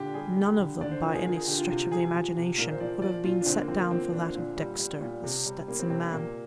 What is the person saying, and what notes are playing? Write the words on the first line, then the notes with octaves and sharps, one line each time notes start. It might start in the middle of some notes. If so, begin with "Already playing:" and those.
None of them, by any stretch of the imagination, could have been set down for that of Dexter, The Stetson Man.
Already playing: A#2 D3 G4
G3 G#4
G3
D3
D3 D5
C5
F3 A#4
G#4
F3 A#4
G#4
D3 G4
F4
C3 F4
F3 G#4
F3
C3
A#2 A#4
C5
F3 D5
F3 D5
A#2 F4
D4
D3 C4
A#3
F3 C4
A#3
F3 C4
D3 D4
A#2
G3
G3
A#2
C3
G3
G3 A#3
C4
C3 C4
C4
A#2 A#3